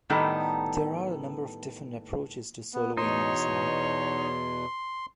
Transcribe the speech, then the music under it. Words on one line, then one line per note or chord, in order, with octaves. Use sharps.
There are a number of different approaches to soloing on the song.
A2 D#3 G3 B3 D#4 A4
B3
E2 B2 D#4 C#5 C6